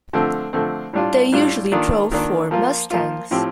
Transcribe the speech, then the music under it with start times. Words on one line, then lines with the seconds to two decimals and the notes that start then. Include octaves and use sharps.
They usually drove Ford Mustangs.
0.13 D3 F3 A3 C4
0.53 D3 F3 A3 C4
0.93 A2 G3 D4 F4
1.32 A2 G3 D4 F4
1.72 D#3 A#3 D4 F4
2.11 D#3 A#3 D4 F4
2.51 F3 A#3 F4
2.90 F3 A#3 F4
3.31 A2 F3 C4 G4